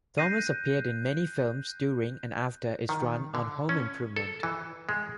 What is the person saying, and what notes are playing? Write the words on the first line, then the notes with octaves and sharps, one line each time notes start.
Thomas appeared in many films during and after his run on "Home Improvement".
F#6 G6 A#6 C7 D#7
D#3
D3
C#4
A4
E3
G#3